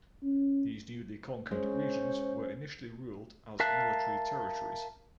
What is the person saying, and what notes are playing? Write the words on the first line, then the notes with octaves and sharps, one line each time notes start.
These newly conquered regions were initially ruled as military territories.
C#4
G#3 C#4 C5
A#4 E5 F5 A5 F#6